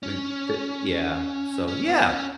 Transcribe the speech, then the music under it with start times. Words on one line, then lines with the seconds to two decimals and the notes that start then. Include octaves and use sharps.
We the Yeah, so yeah.
0.03 C#4
1.68 C#4
1.89 B3
2.09 C#4